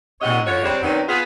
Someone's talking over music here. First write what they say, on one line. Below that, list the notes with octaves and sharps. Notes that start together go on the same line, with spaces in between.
I am happy.
G#2 C3 C#5 D#5 F#5
D3 F3 F#4 C#5
C3 G3 G#3 D4 C5 C#5
C3 D#3 F#3 B3 C#4 D4
B3 F4 G#4